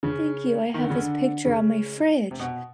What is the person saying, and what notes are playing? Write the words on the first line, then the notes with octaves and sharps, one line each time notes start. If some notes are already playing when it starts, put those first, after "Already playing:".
Thank you. I have his picture on my fridge,
C#3
D#3
D3
C#3
D3
C#3
C3
B2